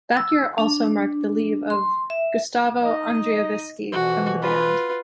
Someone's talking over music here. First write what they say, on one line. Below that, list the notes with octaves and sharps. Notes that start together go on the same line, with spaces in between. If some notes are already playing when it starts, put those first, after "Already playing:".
That year also marked the leave of Gustavo Andriewiski from the band.
E6
D4
C6
E5
D#4 D#5
F2 B2 E3 F#4
F4 B4